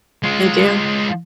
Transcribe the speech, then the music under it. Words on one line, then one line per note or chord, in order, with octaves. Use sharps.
They do.
G#3 F4